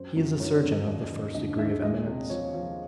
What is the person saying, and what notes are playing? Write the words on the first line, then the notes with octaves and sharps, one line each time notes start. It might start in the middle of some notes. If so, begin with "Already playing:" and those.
He is a surgeon of the first degree of eminence.
Already playing: F#2 C5
F#2
F#2 C#5
D5
F#2
D#5
D#2 D#5
D#2
D3 D#5
D#2 E5
G#3 D#5
C3
F3 C#5
F3